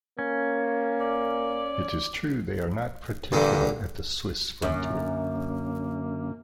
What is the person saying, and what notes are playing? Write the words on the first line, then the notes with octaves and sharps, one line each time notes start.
It is true they are not particular at the Swiss Frontier.
A#3 C#4
D5
G2 A#2 D3
F#2 D3 A#3 C#4